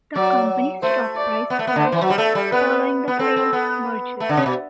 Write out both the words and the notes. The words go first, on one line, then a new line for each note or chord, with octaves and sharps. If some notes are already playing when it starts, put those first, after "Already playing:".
The company's stock price crashed following the failed merger.
F#3 D5
A3 C5
D5
B3
A3
B3
D3
C5
E3
F#3
G3
A3 A4
G3
B3 B4
B3
C4 A4
C4
B3
A3
D3
C3
B2